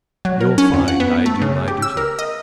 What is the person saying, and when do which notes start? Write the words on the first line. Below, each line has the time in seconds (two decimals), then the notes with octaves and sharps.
"You'll find I do my duty."
0.25 F#3
0.41 A#4
0.58 C#4
0.73 F2
0.88 F#5
1.00 B3
1.26 A3
1.42 C#3
1.68 G4
1.82 E6
1.97 A#4
2.19 D#5